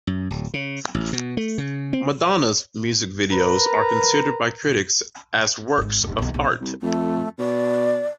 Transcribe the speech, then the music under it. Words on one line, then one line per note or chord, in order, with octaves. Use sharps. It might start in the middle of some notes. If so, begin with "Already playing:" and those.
Madonna's music videos are considered by critics as works of art.
F#2
D1
C#3
A1
B2
A3
C#3
C4
A#4 B4 A#5
G#1 G#2
E1 G2
B1 E3
B1
C2
F2 A3
B2 D5